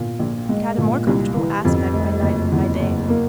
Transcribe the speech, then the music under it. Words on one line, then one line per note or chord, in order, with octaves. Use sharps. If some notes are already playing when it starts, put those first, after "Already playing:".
It had a more comfortable aspect by night than by day.
Already playing: A#2 A#3
A#1
G#3
A#2
C2
E3
F2
F1
F#1
E2
F#1
A#3